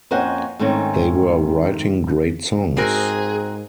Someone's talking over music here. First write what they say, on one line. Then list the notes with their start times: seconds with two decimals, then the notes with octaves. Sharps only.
They were writing great songs.
0.11 F2 A#3 C#4 C5 D#5 F#5
0.59 G#2 D#3 A3 C4 C#4 D#4
2.77 G#2 C4 F#4 G#4 A#4